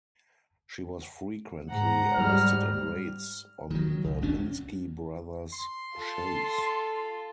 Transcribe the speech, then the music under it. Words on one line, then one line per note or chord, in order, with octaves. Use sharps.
She was frequently arrested in raids on the Minsky brothers' shows.
G#2 F#5 A#5
G#2 G3 F6
D#3 F#3
C#2
G1 F2 C#4 D4
C6
F4 A4